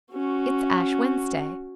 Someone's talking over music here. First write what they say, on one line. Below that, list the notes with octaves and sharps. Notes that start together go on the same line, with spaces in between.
It's Ash Wednesday.
C#4 F#4